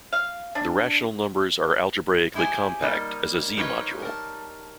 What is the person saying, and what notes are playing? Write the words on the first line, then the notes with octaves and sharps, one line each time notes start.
The rational numbers are algebraically compact as a Z-module.
F5
D4
E4 G4 G#4 C5 G#5
G3 A#3 D#4
D#4 G4 B4 C#5 D#5 F5
A#4 A5